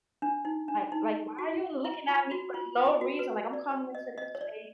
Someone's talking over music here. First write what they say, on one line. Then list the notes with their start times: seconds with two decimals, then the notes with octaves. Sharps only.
like like, "Why are you looking at me for no reason, like, I'm coming into this place"
0.22 D4
0.45 D#4
0.68 D4
0.92 D#4
1.39 F#4
1.85 E4
2.08 F4
2.31 F#4
2.54 F4
2.77 F4
3.01 F#4
3.19 B4
3.53 D5
3.71 C#5
3.95 D#5
4.18 D#5
4.35 C#5
4.41 D5